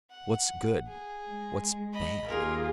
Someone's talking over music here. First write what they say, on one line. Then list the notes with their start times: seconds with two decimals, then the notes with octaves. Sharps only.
What's good, what's bad?
0.10 F#5
0.87 G#4
1.28 G#3
1.93 D#5 B5
2.27 D#2 F4 G4 G#4 A#4